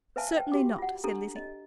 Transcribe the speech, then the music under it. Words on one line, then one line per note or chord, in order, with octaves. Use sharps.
"Certainly not," said Lizzie.
B4 C5 E5 F5 G#5 A5
G5
F#4 G4 D6
F4 F#5
D4 G4 A4 A#5
D#5